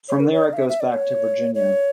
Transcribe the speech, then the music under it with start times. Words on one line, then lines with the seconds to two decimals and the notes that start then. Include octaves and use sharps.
From there it goes back into Virginia.
0.09 C#5
0.20 A#4
0.32 C#5
0.44 D5
0.53 F5
0.57 E5
0.69 E5
0.80 D5
0.94 C#5
1.54 C#5